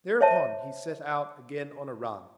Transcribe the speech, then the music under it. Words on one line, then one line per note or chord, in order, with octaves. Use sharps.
Thereupon he set out again on a run.
C5 C#5 E5 A5